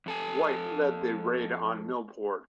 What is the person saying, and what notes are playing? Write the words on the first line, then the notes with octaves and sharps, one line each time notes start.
Wight led the raid on Millport.
F2 A4 G#5